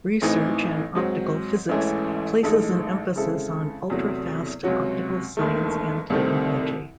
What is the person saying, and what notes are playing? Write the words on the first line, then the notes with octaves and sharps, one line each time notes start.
Research in optical physics places an emphasis on ultrafast optical science and technology.
A1 A2 E3 C4 D#4
G#2 F#3 C4
A1 G#2 E3 A3 C#4
A1 A2 G#3 D#4 A4
C#3 G#3 C4 E4 A4
E2 C3 F#3 A3
C#2 C3 F#3 C#4 F#4
E1 D#2 D#3 A3
C2 C3 D#3 A3 C4